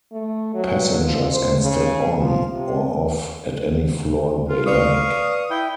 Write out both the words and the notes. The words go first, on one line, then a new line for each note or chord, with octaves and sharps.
Passengers can step on or off at any floor they like.
A3
F#3
F3
C5
C#3
F3
C3
F4
B4 D5 F5 C#6 D#6 F6
E4 G5